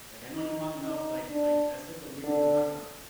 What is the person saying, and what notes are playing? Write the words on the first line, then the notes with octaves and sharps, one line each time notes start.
Like, I've known him long enough to, like-" like, that's such a weird thing to talk about,
D#4
D#4
D4
D3